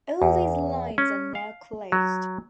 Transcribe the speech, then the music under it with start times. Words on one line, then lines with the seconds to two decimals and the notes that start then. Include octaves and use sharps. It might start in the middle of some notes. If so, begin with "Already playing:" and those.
All these lines are now closed.
0.22 E2
0.98 C#4
1.35 F5
1.92 F#3